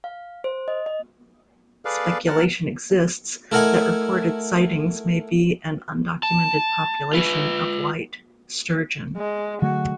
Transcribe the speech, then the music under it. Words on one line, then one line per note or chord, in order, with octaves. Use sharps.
Speculation exists that reported sightings may be an undocumented population of white sturgeon.
F5
C5
D#5
D#5
G#4 A4 B4 D5 F5
A#4 F#5 A5 F6
A3 E4 A#4 D#5 F#5 G#5
A5
F4 B4
G#3
D3 F#3 A3 F#4